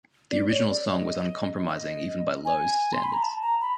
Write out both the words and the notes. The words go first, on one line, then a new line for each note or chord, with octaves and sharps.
The original song was uncompromising even by "Low"'s standards.
D5
C#5
D5
D#5
D#5
G#5
C6
B5
A#5
A5
A#5
B5